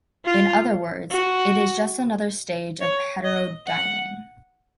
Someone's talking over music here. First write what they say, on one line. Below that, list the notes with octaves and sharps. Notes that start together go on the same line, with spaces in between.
In other words, it is just another stage of heterodyning.
F4
F#4
C#5
D#5
F#5